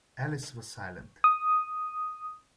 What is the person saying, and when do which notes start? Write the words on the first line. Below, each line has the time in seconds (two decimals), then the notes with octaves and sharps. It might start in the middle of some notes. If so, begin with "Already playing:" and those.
Alice was silent.
1.24 D#6